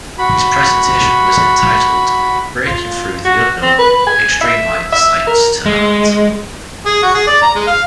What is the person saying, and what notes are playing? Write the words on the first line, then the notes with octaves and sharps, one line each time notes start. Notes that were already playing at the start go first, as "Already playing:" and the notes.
His presentation was entitled "Breaking Through The Unknown: Extreme light, Science to Art".
F#4 B5
F4
F#4
C4
B4
G#5
E5
E5
A#4
G#3
G#4
F#4
G#4
D5
A#5
G#3
F5